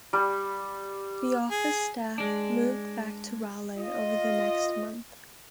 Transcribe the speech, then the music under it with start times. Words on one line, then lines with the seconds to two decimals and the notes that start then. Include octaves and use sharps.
The office staff moved back to Raleigh over the next month.
0.13 G3
1.51 G#4
2.18 G#3 D4
3.77 F4 D#5